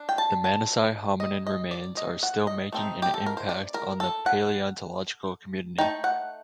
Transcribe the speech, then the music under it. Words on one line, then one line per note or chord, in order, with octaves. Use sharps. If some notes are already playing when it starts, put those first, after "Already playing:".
The Dmanisi hominin remains are still making an impact on the paleontological community.
Already playing: D4
G5
A5
A5
D#5
D#5
D5
D#5
F#5
D#5
A3 C4 D#4
G4
A4
A#4
C5
D5
A#4
A4
F#5
A3 D#4 G5
F#5